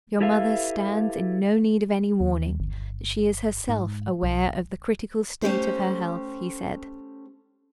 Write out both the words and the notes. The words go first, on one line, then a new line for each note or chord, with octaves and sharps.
"Your mother stands in no need of any warning; she is herself aware of the critical state of her health," he said.
E4 G4 A4 B4 E5 F5
D#2
G1
G#2
B1
A3 C#4 G4 C5